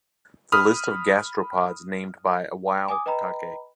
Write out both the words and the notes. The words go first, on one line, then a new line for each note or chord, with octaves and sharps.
The list of gastropods named by Iwao Taki.
B5 D#6 F6
G#5 D6 D#6
B4 D#5 G5 A#5 B5